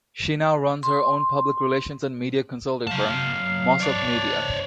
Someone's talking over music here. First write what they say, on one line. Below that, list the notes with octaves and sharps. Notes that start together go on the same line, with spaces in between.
She now runs her own public relations and media consulting firm, Mossop Media.
C6
F#3 F5 A5
D4 C#5 D5